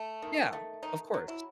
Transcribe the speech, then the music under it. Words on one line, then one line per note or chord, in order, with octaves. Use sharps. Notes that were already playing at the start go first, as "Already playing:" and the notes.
Yeah, of course.
Already playing: A3
D#3
A3
D#3 D#4
F#3
E4